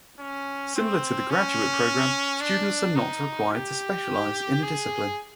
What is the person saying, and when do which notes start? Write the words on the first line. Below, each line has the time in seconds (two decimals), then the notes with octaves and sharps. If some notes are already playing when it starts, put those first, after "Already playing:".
Similar to the graduate program, students are not required to specialize in a discipline.
0.19 C#4
0.75 C4
1.30 C#4
2.41 D4
2.96 D#4
3.52 G4
4.63 G#4